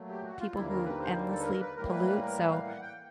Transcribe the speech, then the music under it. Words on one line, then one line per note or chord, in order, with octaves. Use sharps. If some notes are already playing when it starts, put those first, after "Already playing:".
people who endlessly pollute, so
Already playing: A#2 F#3 A3
G4
F#4
F4
D#2 D3 G3 A#3 E4
A#4
B4
C5
A4
B4
A#4
B4
A2 E3 G3 A#3 A#4
B4
B4
A#4
B4
F5
F#5
G5